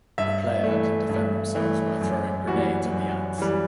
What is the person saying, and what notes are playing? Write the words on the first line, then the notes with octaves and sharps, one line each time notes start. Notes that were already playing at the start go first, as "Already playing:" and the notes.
The player can defend themselves by throwing grenades at the ants.
G2 E5
E3 A3
G2
E3 A3
F#2
E3 G3 F#4
F#2
E3 G3